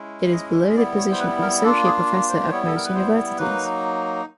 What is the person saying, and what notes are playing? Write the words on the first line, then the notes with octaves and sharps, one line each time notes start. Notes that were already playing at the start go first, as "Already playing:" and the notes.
It is below the position of associate professor at most universities.
Already playing: G#3 C#4 E4
D#5
D#5
G3 B3 E4 D5
C#5
C5
B4
A#4
A#3 D4 F4 A4
G#4
C5
C5
G3 B3 E4 C#5
A4
A#4
B4
C5
F#3 A#3 D#4 B4